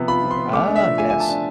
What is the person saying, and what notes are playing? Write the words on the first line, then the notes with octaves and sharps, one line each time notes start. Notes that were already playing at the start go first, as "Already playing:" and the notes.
Ah, yes.
Already playing: C3 F3 B3
F4 B5
F3
C6
B3
A3 D6
D4
E5
F3
F4 G#5
G#5
A3
A5
D4